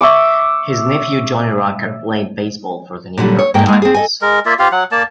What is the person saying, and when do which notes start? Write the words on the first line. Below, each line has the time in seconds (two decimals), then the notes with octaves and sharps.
His nephew Johnny Rucker played baseball for the New York Giants.
0.01 E5 C#6 D6
3.17 A#2 D3 F#3 G3
3.39 C#5
3.54 G#2 A#3 G5
3.68 G#3 A#3
3.82 C4 G#4
3.94 A4 D#5 G#5
4.22 G#3 A#4
4.46 A#3 F4 D5 E5
4.59 C4 F4 G4 F5
4.72 F#3 F#5
4.92 A#3 D5 A5